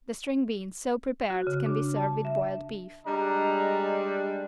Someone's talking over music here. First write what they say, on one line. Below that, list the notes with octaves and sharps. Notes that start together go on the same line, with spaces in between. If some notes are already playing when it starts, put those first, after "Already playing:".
The string beans so prepared can be served with boiled beef.
F#4
C#3
D4
A5
E5
G3 G#3 D4 D#5 A#5